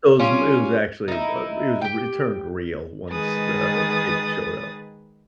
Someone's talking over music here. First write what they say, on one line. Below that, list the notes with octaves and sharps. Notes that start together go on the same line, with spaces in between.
Those it was it was actually, uh, it was r it turned real once the kid showed up.
G3 C#4 F4
D#4 E4
G4 G5
D#3 G#3 G#4 B4 D#6 A6